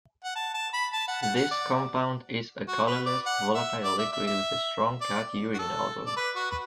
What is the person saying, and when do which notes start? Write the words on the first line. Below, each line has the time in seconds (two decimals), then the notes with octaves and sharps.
This compound is a colorless, volatile liquid with a strong cat urine odor.
0.24 F#5
0.36 A5
0.54 A5
0.73 B5
0.93 A5
1.08 F#5
1.23 F#5
1.36 F#5
1.51 D5
2.68 F#4
2.87 B4
3.06 D5
3.26 F#5
3.55 E5
3.84 D5
3.98 E5
4.13 E5
4.27 E5
5.01 D5
5.54 F#4
5.59 A4
6.06 D5
6.16 B4
6.36 F#4
6.51 B4